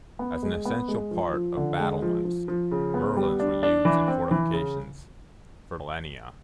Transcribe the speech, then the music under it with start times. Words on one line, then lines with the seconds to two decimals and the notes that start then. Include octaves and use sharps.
As an essential part of battlements, merlons were used in fortifications for millennia.
0.19 B3
0.43 G#3
0.65 B3
0.88 G#3
1.11 F3
1.34 F3
1.57 D3
1.79 G#3
2.02 F3
2.25 F3
2.48 F3
2.71 C#3
2.94 B3
3.17 G3
3.40 D4
3.63 D4
3.85 E3
4.08 C4
4.31 E3
4.53 C#3